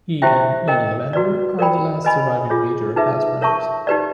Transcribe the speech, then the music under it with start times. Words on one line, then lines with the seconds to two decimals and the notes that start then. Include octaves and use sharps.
He and Ian Lavender are the last surviving major cast members.
0.22 E4 G4 C5 E5 G5
0.68 A#4 D#5 G5
1.13 F#4 B4 D5
1.59 A#4 D5 G5 B5
2.05 B4 D#5 G#5 B5
2.50 F4 G#4 C#5
2.96 D#4 G#4 B4 E5
3.41 A#4 C#5 E5 A5 C#6
3.87 D#4 G4 B4 D5